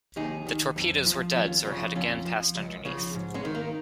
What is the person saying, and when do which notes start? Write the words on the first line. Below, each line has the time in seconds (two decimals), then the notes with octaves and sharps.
The torpedoes were duds or had again passed underneath.
0.16 D#2 D#4 G#4
0.47 D#3
0.76 F2
1.06 F3
1.35 D#2 C#4 F4
1.65 C#3 F3
1.95 F2 C#4 F4
2.25 F3
2.55 C#2
2.85 C#3 F3
3.15 G#2
3.34 G#3 C#4
3.45 D#3
3.55 A#3